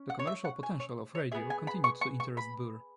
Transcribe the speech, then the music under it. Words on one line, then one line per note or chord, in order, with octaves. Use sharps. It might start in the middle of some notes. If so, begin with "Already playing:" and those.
The commercial potential of radio continued to interest Burr.
Already playing: C#4
F#5
C#5
E5
F#5
G#5
C#5
C#5
B3 G#4 E5
G#5
B5
C#6
C#6
C#6
B5